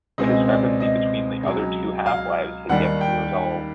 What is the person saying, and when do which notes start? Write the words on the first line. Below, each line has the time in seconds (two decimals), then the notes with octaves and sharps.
The discrepancy between the other two half-lives has yet to be resolved.
0.18 C#2 B2 G#3 C4 D#5
0.50 D5
0.80 D#5
1.43 C#2 C#3 F#3
2.06 F5
2.69 D#2 D#3 G3 F#5
3.01 G5